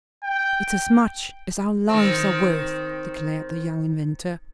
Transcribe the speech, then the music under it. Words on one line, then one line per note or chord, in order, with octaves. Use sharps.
"It's as much as our lives are worth," declared the young inventor.
G5
D#3 C4